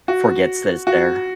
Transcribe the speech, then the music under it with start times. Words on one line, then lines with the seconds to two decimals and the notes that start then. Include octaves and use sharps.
Forgets that it's there.
0.08 F#4
0.87 F#4